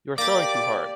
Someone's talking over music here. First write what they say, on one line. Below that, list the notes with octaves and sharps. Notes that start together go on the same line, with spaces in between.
You are throwing too hard!
A#3 G4 D5 D6 A6